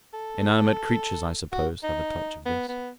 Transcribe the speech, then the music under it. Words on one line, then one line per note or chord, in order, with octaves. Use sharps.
Inanimate creatures, I suppose, have a touch of this.
A4
F#4
D#4
B3
B3